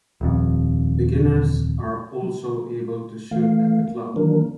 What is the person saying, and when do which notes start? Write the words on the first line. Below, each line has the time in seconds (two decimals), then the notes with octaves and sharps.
Beginners are also able to shoot at the club.
0.21 D#1 F2
3.31 E3 A3 F5
3.88 A#3
4.16 D#3 E3 F#3 A#3 D4 A#4